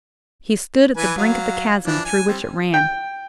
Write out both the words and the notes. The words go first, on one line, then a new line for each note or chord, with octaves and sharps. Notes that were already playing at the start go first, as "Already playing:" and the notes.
He stood at the brink of the chasm through which it ran.
E3 B4 G#5
F#3 F5
E3 F3 D4
G#5
G3 C4
G5